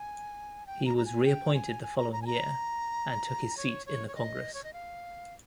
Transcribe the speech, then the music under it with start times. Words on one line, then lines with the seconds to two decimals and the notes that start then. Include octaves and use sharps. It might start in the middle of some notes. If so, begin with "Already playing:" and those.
He was re-appointed the following year, and took his seat in the Congress.
Already playing: G#5
0.67 G5
0.86 A#5
0.97 A#5
1.05 G#5
1.25 G5
1.54 G#5
1.83 G#5
1.98 A#5
2.12 A#5
2.22 G#5
2.27 A#5
3.57 C#5
3.86 C#5
4.08 C#5
4.15 D#5
4.54 C#5
4.64 D#5
4.73 F5